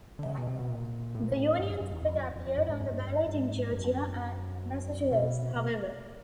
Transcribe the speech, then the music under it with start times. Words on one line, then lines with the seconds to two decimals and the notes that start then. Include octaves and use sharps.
The Union ticket appeared on the ballot in Georgia and Massachusetts, however.
0.19 D3
0.26 C#3
0.37 B2
0.47 C3
0.59 B2
0.70 A#2
1.15 A2
1.23 A#2
1.32 A2
1.59 G2
1.70 F#2
1.81 F#2
1.91 E2
2.03 F2
2.14 F#2
2.25 F2
2.35 F2
2.46 F2
2.57 F#2
2.69 G#2
2.80 G2
2.91 G2
3.27 G2
3.35 G#2
3.73 G2
3.80 F#2
5.12 B2
5.56 B2